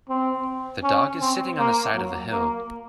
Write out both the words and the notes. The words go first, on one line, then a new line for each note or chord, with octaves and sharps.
The dog is sitting on the side of the hill.
C4
C#4
C4
A#3
F#3
A#3